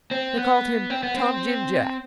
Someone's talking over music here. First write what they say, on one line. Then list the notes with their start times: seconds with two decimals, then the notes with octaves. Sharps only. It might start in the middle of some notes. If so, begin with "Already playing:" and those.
They called him Tom-Jim-Jack.
0.11 C4
0.37 B3
0.90 C4
1.03 B3
1.15 C4